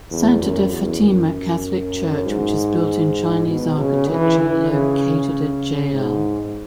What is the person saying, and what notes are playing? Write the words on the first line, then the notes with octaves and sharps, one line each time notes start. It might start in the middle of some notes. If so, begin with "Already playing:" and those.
Santa de Fatima Catholic Church, which is built in Chinese architecture located at Jl.
E2
F#2
E2
F#2
G#2
B2
C#3
E3
E3
C#3
G#2